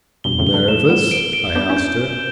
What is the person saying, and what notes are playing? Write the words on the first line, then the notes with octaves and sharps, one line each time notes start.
"Nervous?" I asked her.
G2 B2 G7
A2 C#3
G7
F#3 A3
F#3 A3 E7
G3 B3 E7
D7
D7
B3 D4 G6
C#4 E4
G6